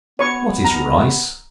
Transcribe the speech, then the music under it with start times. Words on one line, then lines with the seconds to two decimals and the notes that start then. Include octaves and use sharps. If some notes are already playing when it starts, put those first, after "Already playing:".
What is Rice?
0.19 B3 C#5 C#6
0.64 B3 A#5